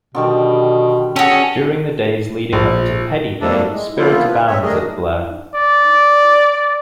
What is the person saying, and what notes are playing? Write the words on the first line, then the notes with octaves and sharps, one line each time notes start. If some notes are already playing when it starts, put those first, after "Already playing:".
During the days leading up to Peddie Day, spirit abounds at Blair.
B2 D3 D#3 G3
C#4 F#4 G#4 A4 G5
A#1
B2 G3 A3 A#3 D4 A4
G#3
F3 A#3 B3 E4 F4
F4 B4
G2 C4 C#5 E5
D2 A3 D4 G#4 A#4 D#5
D5